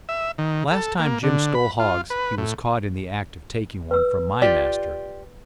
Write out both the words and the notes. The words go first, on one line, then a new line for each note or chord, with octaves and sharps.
The last time Jim stole hogs he was caught in the act of taking one from my master, Col.
E5
D#3
A4
A#3
D3
B5
F4
B4
A2
B4 E6
F4 G4 D5